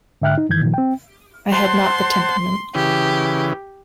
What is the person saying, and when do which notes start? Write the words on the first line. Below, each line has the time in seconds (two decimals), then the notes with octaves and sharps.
I had not the temperament.
0.22 G#2 D3 E5 G5 F6 F#6
0.38 D#4
0.49 G2 D#3 E3 G6 G#6
0.61 A#2 D#3 F3
0.74 C4 G5
1.52 C5 F#5 A5 C6
2.75 C#3 E3 G4